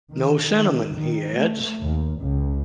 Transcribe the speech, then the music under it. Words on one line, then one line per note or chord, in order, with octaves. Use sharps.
"No cinnamon," he adds.
D#3
D#3
D#3
A3
D#2
C#2